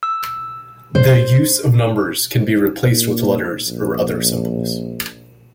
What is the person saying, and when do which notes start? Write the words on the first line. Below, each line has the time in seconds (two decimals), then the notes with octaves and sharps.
The use of numbers can be replaced with letters or other symbols.
0.03 E6
0.95 C5
2.86 A#2
3.67 A#1